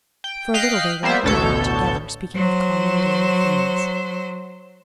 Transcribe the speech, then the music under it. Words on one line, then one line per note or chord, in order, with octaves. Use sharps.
For a little they walked about together, speaking of common, daily things.
G5
D#5 F5 G5 F#6 B6 C7
G3 A#3 B3 C5 E5
A1 D2 B2 A4 C#5 G6
F#3 C5